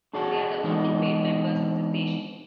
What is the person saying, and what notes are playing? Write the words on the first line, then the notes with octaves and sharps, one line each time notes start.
They are the only paid members of the station.
D4 F#4 G#4 D5 F#5 A5
E3 G#3 B3 C4 D4 D#4